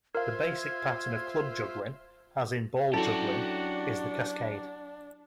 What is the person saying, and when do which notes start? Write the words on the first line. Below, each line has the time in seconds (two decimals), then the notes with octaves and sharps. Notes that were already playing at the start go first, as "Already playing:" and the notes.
The basic pattern of club juggling, as in ball juggling, is the cascade.
0.15 F4 A#4 C5 E5 F5 G#6
2.94 F#3 C#4 D4 E4 F#4 G4 A4